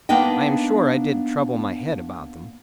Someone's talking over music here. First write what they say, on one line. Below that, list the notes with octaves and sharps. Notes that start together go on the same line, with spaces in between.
I am sure I did trouble my head about them.
A#3 B3 D4 D#4 D#5 G5